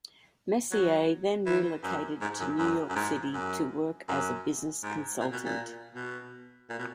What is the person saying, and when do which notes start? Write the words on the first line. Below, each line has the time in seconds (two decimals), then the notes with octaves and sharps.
Messier then relocated to New York City to work as a business consultant.
0.72 F#3
1.46 E3
1.84 F#2
2.21 G#2
2.40 F#2
2.59 F#2
2.90 F#2
2.96 G#2
3.34 F#2
4.08 F#2
4.83 G#2
5.20 A#2
5.33 B2
5.45 A#2
5.95 B2
6.70 A#2
6.79 B2